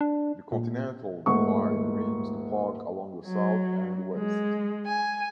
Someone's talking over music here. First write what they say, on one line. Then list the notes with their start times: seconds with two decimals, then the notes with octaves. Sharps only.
The continental divide rims the Park along the south and west.
0.01 D4
0.52 A#2
1.26 D#1 G#2 A3 F#5 C#6
3.25 F#3
4.13 G#3
4.86 G#5